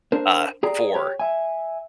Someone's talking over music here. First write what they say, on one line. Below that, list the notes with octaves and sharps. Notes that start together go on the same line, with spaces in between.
uh, for
D4 A#4 C5
G4 G#4 D5 A#5
G4 C#5
E5 G#5